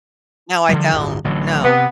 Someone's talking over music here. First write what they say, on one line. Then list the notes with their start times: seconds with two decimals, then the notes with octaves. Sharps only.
No, I don't, no,
0.69 D3 F3 G3
0.93 D1 G1
1.24 A1 D3 F#3
1.64 C3 B3